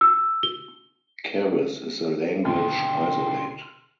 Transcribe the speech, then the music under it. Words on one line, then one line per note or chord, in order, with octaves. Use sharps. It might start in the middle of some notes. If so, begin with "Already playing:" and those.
Keres is a language isolate.
E6
G7
D#2 B2 D3 G5 C6